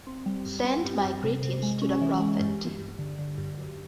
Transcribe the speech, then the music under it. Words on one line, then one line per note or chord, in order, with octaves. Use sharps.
Send my greetings to the Prophet.
C4
G3
G2
C4
G2
G2
C3
C3
G#3
C#4
E3
G#3
G2
G2
G2
D3
D3
G2
F#2